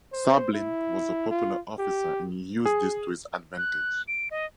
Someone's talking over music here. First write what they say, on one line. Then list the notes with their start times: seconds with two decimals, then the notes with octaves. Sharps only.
Sablin was a popular officer and he used this to his advantage.
0.12 C5
0.53 E4
1.31 F4
1.79 G4
2.65 G#4
3.57 F#6
4.08 D7
4.31 D#5